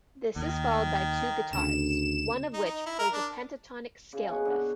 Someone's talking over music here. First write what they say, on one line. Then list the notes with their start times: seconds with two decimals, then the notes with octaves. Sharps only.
This is followed by two guitars, one of which plays a pentatonic scale riff.
0.36 D#2 D#3
1.53 D2 C#3 E7
2.53 D#4
2.65 D#4
2.86 E4
2.99 A#4
3.13 D4
4.13 C#3
4.29 B2
4.45 D3